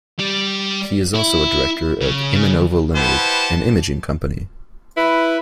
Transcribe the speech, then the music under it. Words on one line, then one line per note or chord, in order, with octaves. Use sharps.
He is also a Director of Imanova Limited, an imaging company.
G3
E4
C#3
E4 G4 B4 C5 F#5 A5
E4 B4